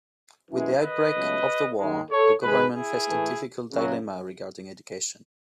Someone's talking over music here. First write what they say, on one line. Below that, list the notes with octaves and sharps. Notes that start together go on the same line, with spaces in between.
With the outbreak of the war, the government faced a difficult dilemma regarding education.
F#2 E3 G#3
B4 D#5
C#2 B2 F#3 A3
D#2 D#3 G#3
A4 C#5
G#2 D#3 G#3 G#4 B4
E4 G#4
A2 E3 A3
F#2 C#3 F#3